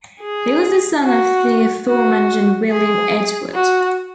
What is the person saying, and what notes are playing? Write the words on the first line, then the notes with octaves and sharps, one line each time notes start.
He was the son of the aforementioned William Edward.
G#4
F#4
F#4
G#4
F#4